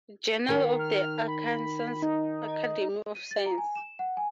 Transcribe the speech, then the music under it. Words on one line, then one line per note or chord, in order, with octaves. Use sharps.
Journal of the Arkansas Academy of Science.
D#3 A#4
F6
B5
D#4
D#7
A6
A#5
G#5
E7
F#5
G#5